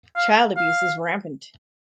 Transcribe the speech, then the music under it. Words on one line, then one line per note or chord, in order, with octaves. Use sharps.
Child abuse is rampant.
F5
F5